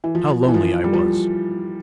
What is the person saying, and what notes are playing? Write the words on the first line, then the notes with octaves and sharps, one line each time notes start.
How lonely I was!
E3
F3
E3
F3
G3
F3